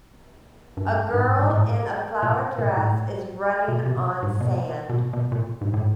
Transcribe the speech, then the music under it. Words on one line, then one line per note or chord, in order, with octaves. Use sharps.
A girl in a flower dress is running on sand.
G2
G#2
G#2
A2
A#2
A#2
A2
B2
C3
G#2
B2
B2
B2
A#2
G#2
A2